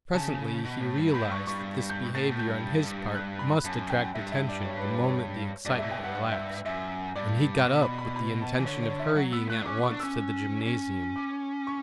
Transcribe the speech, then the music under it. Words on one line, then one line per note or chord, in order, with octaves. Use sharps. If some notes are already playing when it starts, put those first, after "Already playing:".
Presently he realized that this behavior on his part must attract attention the moment the excitement relaxed, and he got up with the intention of hurrying at once to the gymnasium.
C#3 A5
B2
A2
G2
A2 B5
G2 C#6
G2 C#6
G6
A2 A6
A2
G6
G2
F#6
B5
F#2 A5
G5
G2 E5
E5
D5
C#5
B4
B4
C#5
G2 D5
E5
B2
G5
G2 F#5
F#5
E5
F#2 E5
G2 D5
B2
B5
B5
B5
A5
E3
D3 C#5
C#5
E5
F#3 F#5
B3 E6
A3 F#6
D4
C#4 D6
B3 C#6
D4
C#4 E6
C#4
D6
C#6